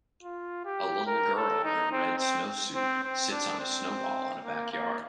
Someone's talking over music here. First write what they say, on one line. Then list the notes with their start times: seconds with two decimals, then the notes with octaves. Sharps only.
A little girl in a red snowsuit sits on a snowball in a backyard.
0.23 F4
0.65 G4
1.07 A#4
1.36 A4
1.64 D#4
1.92 C4
2.19 C4
2.76 C4
3.04 C4
3.31 D4
3.60 C4
4.45 A#3
4.72 A#3